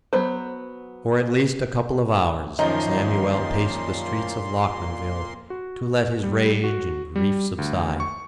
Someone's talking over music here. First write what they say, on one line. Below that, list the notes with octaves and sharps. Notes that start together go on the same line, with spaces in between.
For at least a couple of hours Samuel paced the streets of Lockmanville, to let his rage and grief subside.
F#3 B3 C5
F#2 A#2 D#3 F3 A#3 D#4 C6
F#4
G3
F#4
G3
D2
C#6